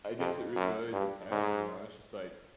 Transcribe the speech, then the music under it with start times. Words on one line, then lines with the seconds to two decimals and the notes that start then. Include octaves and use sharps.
I guess it r really depends, you know? It's just like,
0.19 F2
0.56 F#2
0.93 G2
1.31 G#2